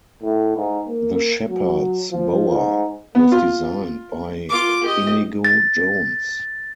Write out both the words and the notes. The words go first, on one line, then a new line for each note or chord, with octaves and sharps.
The shepherd's bower was designed by Inigo Jones.
A2
G#2
A#3
F#3
F3
G#2
B3
F4
F4 D6
G4 D#5
A6